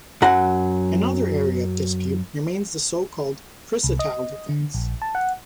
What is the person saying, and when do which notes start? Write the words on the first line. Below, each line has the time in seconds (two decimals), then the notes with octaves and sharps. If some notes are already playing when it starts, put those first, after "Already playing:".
Another area of dispute remains the so-called chrysotile-defense.
0.22 F#2 F#3 F#5 A#5
3.83 C2
3.99 D#5
4.49 D3
4.74 A#1
5.02 A5
5.15 F#5